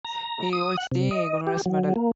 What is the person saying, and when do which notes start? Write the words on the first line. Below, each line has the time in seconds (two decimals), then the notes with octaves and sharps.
He holds the Gunnerus Medal.
0.05 A#5
0.53 D#6
0.77 F#5
0.92 C3
1.11 D#5
1.47 G4
1.66 F#3
1.96 A#3